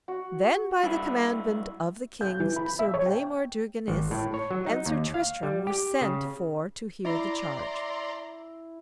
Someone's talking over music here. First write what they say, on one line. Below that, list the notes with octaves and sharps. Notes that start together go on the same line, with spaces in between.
Then by the commandment of the kings Sir Blamore de Ganis and Sir Tristram were sent for to hear the charge.
F#4
G2 E4
G6
E3
B5
E5
C#5
G5
G#1
A2
C#5
F#3
D#4
D#2
F5
G3
G4
C#3
E4 D5 A#5 C6